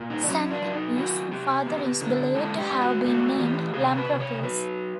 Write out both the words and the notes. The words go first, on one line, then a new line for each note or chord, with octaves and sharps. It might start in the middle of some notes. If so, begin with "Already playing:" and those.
Xanthippe's father is believed to have been named Lamprocles.
Already playing: A#2
D#4
D4
F#3 C#4
D4
F#3
D#4
C4 F#4
C4 G4
B3
D3
G#2 A4
G4
G#2
F#4
A3 F#4
E3 G4
C3 G#4
B4
C3
C#5
F#3 B4